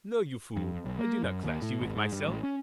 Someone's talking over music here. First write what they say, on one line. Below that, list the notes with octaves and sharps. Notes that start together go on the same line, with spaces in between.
No, you fool, I do not class you with myself!
F2
B1
A#3
F#2
D#2
A2
G#1
G#2
G2
A1
C#4